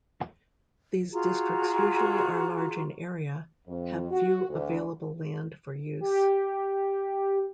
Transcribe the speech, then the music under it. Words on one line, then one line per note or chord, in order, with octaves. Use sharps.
These districts usually are large in area, have few available land for use.
F4 F#4 G#4 A#5
F2
F#4
D2
G4